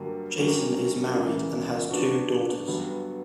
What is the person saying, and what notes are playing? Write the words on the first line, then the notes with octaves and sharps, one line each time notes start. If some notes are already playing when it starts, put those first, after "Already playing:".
Jason is married and has two daughters.
Already playing: G2 D3 F#3 A#3
G2 F#3 A#3 C#4
C#2 C#3 E3 A#3
F#3 B3 D4 F#4
G2 D3 F#3 B3